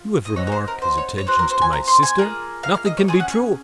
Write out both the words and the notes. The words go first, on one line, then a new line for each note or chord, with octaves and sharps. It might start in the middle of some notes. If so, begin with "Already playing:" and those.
You have remarked his attentions to my sister! Nothing can be truer!
Already playing: F4
D#5
C4 D#4 F#4 C#5
C#5
C5
A#4
C5
C#5
C#5
C4 F#4 C5
A#4
C5
G#5
A#5
C6
G#5
A#3 F4 G#4
F5
F5
D#5
C#5
C#4 F4 G#4 G#5
F#5
C#6